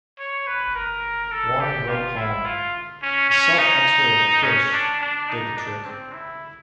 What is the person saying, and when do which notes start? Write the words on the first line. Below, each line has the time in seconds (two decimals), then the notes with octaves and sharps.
Warren wrote home, A self x ray of a fish ... did the trick.
0.19 C#5
0.47 B4
0.75 A#4
1.32 A4
1.61 G4
1.89 F4
2.17 E4
2.45 F4
3.02 C#4
3.30 C#4
3.58 D#4
4.43 C#4
4.72 D4
5.01 D4
5.29 D#4
5.57 D4
5.86 C4
6.14 E4